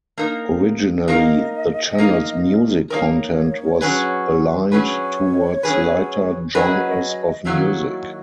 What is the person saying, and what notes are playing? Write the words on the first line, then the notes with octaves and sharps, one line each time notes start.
Originally, the channel's music content was aligned towards lighter genres of music.
A#3 D#4 A#4
A#3 D#4 A#4 D#5
A#3 D#4 A#4
A#3 D#4 A#4 C#5
F#3 C#4 G#4 B4
F#3 C#4 G#4 B4 C#5
F#3 C#4 G#4 B4
F#3 C#4 G#4 B4 D#5
D#3 F#3 A#3 E4 F#4
G#4
F#4